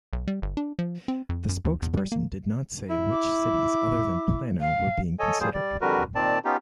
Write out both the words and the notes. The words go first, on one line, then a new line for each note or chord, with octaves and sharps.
The spokesperson did not say which cities other than Plano were being considered.
B1
G3
G1
D4
F3
C4
F2
F#2
D#2
E2
G3
A#3
E4
D6
F5
A4 C#5 D#5 G#5
F3 G3 A#3 G#4 C5
G3 D5
F2 D3 G3 F#4 A#4 B4
A#2 D#3 C4 D5 A5
B3 C#4 D#4 F4 G4